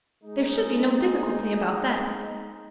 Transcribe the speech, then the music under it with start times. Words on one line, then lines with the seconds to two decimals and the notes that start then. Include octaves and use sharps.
There should be no difficulty about that.
0.24 G#3 D#4